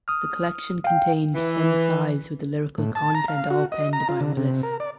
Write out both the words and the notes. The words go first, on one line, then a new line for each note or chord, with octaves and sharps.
The collection contained ten sides with the lyrical content all penned by Willis.
D#6 F6
F5 G5
E3
A2
A5
A#5
F5
F#4
D#5
A#5
F4
D3
C3
A#4
D5